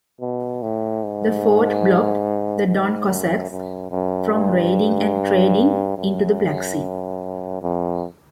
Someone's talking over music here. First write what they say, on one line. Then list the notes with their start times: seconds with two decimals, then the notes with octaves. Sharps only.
The fort blocked the Don Cossacks from raiding and trading into the Black Sea.
0.21 B2
0.62 A2
1.03 G#2
2.67 G#2
3.08 F#2
3.50 F#2
3.91 F#2
4.33 G2
5.98 F#2
7.62 F2